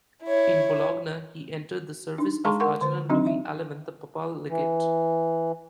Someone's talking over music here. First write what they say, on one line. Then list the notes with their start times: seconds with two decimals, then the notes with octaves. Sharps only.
In Bologna, he entered the service of Cardinal Louis Aleman, the papal legate.
0.23 E4 C#5
2.18 D4 D#4
2.45 G#3 G#4 A5 A#5 C6 C#6
2.60 A#4 F#5 C6 C#6
2.81 D3 C5
3.09 F#3 C4 D4 D#4 F#4 D#5
3.26 E5
4.49 E3